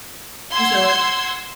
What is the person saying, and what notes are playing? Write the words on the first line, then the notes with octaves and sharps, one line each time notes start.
You say what?
F#5 C6 E6 G#6